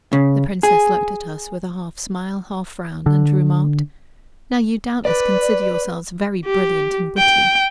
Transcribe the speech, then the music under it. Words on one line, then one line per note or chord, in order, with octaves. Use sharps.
The princess looked at us with a half smile, half frown, and remarked: "Now you doubtless consider yourselves very brilliant and witty."
C#3
G#4
D3
B4 D5
G4
G5